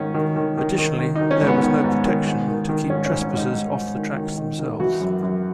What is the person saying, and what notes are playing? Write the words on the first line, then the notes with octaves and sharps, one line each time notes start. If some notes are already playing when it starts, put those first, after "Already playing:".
Additionally, there was no protection to keep trespassers off the tracks themselves.
Already playing: G#2 D#3 C#4
D#3
D#3
D#3
D#3
D#3
D#3 D#4
C#4
G#2
B3
D#3
G#2
D#3
G#2
D#3
D#3
G#2 C#4
G#2 C#4
C#4
G#2 D#4
G#2
G#2
D#3
D#3
D#3
D#3
E3 F#4
F#2
F#2